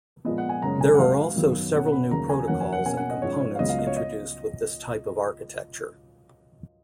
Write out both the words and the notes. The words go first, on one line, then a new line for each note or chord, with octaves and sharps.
There are also several new protocols and components introduced with this type of architecture.
A#2 F3 G#3 B3 D#5
F#5
G#5
F#2 C#3 G#3 C#4 A#5
G#5
F#5
G#2 F#3 A#3 F5
F#2 D#3 F#3 B3
B2 A#3 C#4 F#5
B5
D#2 C#3 F#3 A#3 A#5
G#5
F2 D#3 F#3 A#3 C#4 F#5
G#5
F#5
B2 A#3 C#4 G#5
F#5
D#5
G#2 F3 G#3 C#4 C#5
C#5
F5
C#2 C#3 F#3 B3 D#5
F5
D#5
C#5
D#5